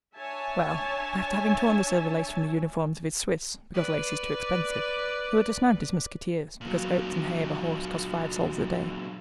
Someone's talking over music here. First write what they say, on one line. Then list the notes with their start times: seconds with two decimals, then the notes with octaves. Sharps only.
"Well, after having torn the silver lace from the uniforms of his Swiss, because lace is too expensive, he will dismount his musketeers, because oats and hay of a horse cost five sols a day."
0.16 D4 C#5 E5 G#5 A5
3.74 B4 D5
6.61 A#2 F#3